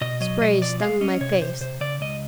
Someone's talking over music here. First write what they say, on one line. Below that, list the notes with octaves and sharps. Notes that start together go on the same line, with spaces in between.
Spray stung my face.
B2 D#5
F#3 D#5
B2 D#5
F3 D5
G#3 F5
C#4 D#5
C3 C#5
C3 C5
C3 C5
C#3 D5
C#2 D#5